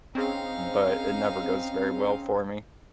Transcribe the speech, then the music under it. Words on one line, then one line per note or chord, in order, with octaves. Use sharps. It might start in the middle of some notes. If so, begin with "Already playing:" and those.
but it never goes very well for me.
C4 C#4 D#4 G#4 F5